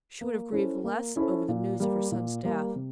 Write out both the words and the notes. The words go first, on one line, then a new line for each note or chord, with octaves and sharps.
She would have grieved less over the news of her son's death.
A#3
C#4 E4 A4 C5
A#3
C#4 E4 A4 C5
A#2
G3 A#3
A#2
G3 A#3
C3